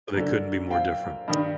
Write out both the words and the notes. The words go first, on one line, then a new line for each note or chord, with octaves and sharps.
They couldn't be more different.
F#2 D3
F5 G5
G2 D#3